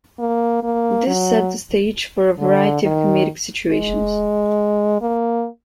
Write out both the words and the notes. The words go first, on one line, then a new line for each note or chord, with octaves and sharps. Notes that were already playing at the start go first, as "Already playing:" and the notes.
This set the stage for a variety of comedic situations.
A#3
A#3
F#3
D3
D#3
G#3
A#3